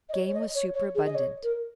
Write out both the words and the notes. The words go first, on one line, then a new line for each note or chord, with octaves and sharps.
Game was superabundant.
D#5
C#5
C#5
D#5
C#5
C#5
G#4
D#5
C#5
A#4